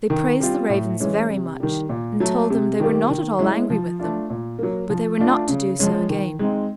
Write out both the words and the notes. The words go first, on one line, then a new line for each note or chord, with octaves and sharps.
They praised the Ravens very much, and told them they were not at all angry with them, but they were not to do so again.
D#3
G3 C4 F4
A2
E3 G#3 C#4
C3
D#3 G3
A#2
F#3 A3
C3
D#3 G3 A#3
D#3
G#3 C#4 E4
F3
A3 D4 F4
A#2
F#3 A#3
F3
A3 D4 F4
C#3
F3 G#3 C#4
D#3
G#3 C4 D#4